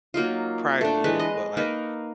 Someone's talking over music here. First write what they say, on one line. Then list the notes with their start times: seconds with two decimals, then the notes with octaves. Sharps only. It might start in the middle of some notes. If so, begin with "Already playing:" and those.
prior years, but, like,
0.14 F#3 A#3 D#4 F4
0.81 A3 D4
1.04 E3 G#3 B4
1.19 D#5
1.57 A#3 D#4 A#4 B4